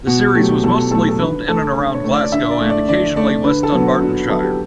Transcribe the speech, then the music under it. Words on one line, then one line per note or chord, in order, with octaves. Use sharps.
The series was mostly filmed in and around Glasgow and occasionally West Dunbartonshire.
B2 F#4
F#3 A3 G4
B2 A4
F#3 A3 A4
A4
D3 B4
A3 A4
D3
C#5
A3
D5
D3 E5
D5
A3
D5
D3 D5
A3 D5
D3 B4
A4
F#3 B3
F#4
D3 F#4
F#3 B3 A4
G4